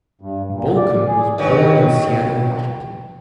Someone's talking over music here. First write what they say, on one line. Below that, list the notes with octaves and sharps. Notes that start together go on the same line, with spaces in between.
Bolcom was born in Seattle, Washington.
G2
A#2
D5
G#4
G2 D#3 F#3